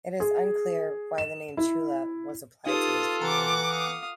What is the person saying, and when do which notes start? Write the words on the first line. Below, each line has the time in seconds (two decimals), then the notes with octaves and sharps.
It is unclear why the name Chula was applied to this community.
0.20 G#4
1.18 E7
1.57 E4
2.66 D#4 F4 G4 A4 B4 D#6
3.22 E3 F#5 A#5 D6
3.70 F5 D#6